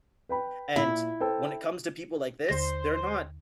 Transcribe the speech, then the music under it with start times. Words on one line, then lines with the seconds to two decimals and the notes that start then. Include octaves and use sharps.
and when it comes to people like this, they're not
0.29 B4 G5 B5
0.76 A#2 E4
1.21 A4 C5 G5
2.49 D#2 D3 C5 A#6